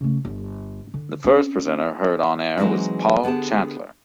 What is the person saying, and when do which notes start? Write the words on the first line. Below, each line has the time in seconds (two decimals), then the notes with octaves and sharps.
The first presenter heard on air was Paul Chantler.
0.01 C#3 A3
0.25 G1
0.94 D3
1.24 C4 C#4
2.58 E3 F#3 G#3 C4 D#4
3.23 D3 B3 G4 G#4 A5